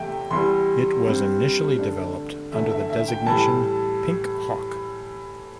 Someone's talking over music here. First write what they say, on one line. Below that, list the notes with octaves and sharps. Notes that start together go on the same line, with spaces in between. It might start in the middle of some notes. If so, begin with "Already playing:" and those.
It was initially developed under the designation Pink Hawk.
Already playing: E2 C3 A3 E5 G5
E2 E3 G3 C6
G2 G3 C4
D3 A3 D4
E2 D3 A3 E5
E5
E5
G5
A2 E3 G3 A5